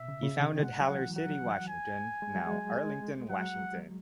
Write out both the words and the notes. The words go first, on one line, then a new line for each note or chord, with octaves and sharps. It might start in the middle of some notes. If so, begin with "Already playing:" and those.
He founded Haller City, Washington, now Arlington, Washington.
Already playing: B2 E5
C#3
C#3
D#3
D#3
G#3 F#5
F#3
E3
F#3 F#5
G#5
G#3
F#3
G#3
G#3
F#3 F#5